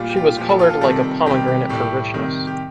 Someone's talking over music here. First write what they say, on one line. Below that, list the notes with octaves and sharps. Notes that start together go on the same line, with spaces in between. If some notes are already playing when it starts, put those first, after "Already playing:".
She was coloured like a pomegranate for richness.
Already playing: A#2 G3 F4
G4
F4
A#2 F3 G4
A4
F4
A4
C3 D#3 G3 A4
A4
C3 D#3 G3 G4
G4
A2 G3 G4
C3 D#3 G3
G4